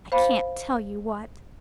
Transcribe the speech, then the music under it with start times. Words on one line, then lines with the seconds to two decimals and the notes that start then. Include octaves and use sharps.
I can't tell you what.
0.12 C5 F5 B5